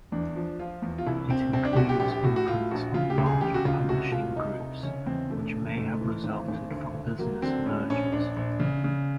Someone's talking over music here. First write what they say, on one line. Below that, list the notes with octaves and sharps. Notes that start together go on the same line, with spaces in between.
It includes imprints of larger publishing groups, which may have resulted from business mergers.
E2 D4
F3
F3 F4
E2
F4
C2 E4
C2 C4
C2 C4
D4
G4
C2 F#4
G4
A#1 G4
G4
A2 F#4
F#4
A2 F4
A#1 F#4
C#3 F4
G4
C#2
G#4
C#3 G4
F#4
C#2 F4
C2 F#4
C2 F4
C2 D#4
C2
C#3 C#4
E2 C4
E1 A3
C#3
G#2 A3
E3
G#1
G#1
D2
D2
F#3 A#3
D3 C4
A2 C#4
A#1 C#4
A#1 D4
A#1
C#3
C#3